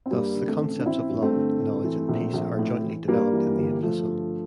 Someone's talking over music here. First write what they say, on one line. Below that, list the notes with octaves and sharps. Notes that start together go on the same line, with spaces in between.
Thus the concepts of love, knowledge and peace are jointly developed in the Epistle.
C4
G2 G3 A#3
D3
A3 C4
A1
D4
A1 C4 E4
G2
A3 C4
D3
A2
E3
A#1
A#1
A2
E3
G2 G3 A#3
E3
G1
G1 F3 A3
G2